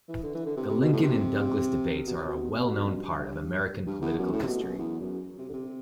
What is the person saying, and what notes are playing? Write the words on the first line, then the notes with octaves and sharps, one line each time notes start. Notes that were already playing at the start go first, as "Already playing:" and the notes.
The Lincoln and Douglas debates are a well known part of American Political history.
E3
D3
E3
D3
C3
C3
B2
A2
C3
B2
C3
B2
C3
B2
F#2
G2
G2
E2
F#2
A2
C3
B2
F#2
E2
F#2
C3
D3
C3